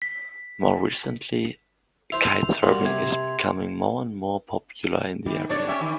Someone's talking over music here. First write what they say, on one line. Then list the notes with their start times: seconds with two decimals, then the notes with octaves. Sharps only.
More recently kitesurfing is becoming more and more popular in the area.
0.02 B6
2.12 E4 C5 F7
2.63 G3 A#3 F#4 C6
2.85 C3 G#6
5.26 D#3
5.49 D4 C#5 D5
5.68 C#4 G4 E5
5.81 D#3